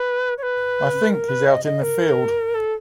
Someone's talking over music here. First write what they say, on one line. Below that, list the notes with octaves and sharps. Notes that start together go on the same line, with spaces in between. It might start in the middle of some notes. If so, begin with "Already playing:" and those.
I think he's out in the field.
Already playing: B4
C#5
B4
A#4
B4
D#5
D#5
A#4
A4